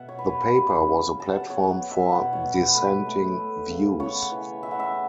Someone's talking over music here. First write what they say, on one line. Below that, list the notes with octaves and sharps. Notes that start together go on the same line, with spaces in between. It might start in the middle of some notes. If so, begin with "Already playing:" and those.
The paper was a platform for dissenting views.
Already playing: B2 E5 F#5
C#5
B4
B3 C#5
C#3
C#3
F#3 A5
F#5
E5
B3 C#5
F#5
B3
E5
B2 F#5
C#5
B2
B4
A3 B4
A3
A3
C#3
B3 C#5
E3
E3 E5
F#5
E5